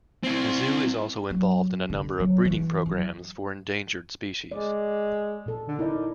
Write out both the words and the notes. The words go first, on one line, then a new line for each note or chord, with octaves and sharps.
The zoo is also involved in a number of breeding programs for endangered species.
C4 E4
F#3
D3
F#3
E3
F#2
G#3 D5
A#2 A4
D3
D#4 E4 A#4 D5